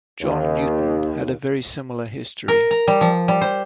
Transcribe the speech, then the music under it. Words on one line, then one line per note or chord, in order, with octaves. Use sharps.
John Newton had a very similar history.
D#2
A#4
A#5
G3
F3
G3
C5